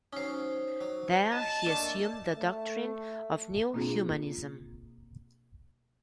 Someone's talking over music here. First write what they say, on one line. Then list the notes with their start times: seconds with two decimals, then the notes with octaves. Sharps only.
There he assumed the doctrine of New Humanism.
0.13 F#3 C#4 D#4 C5
0.81 F#3
1.32 D#5 A5
1.66 A3 A#3 D4
2.35 A3
3.74 B2 A#3 C4 D4 F4 G#4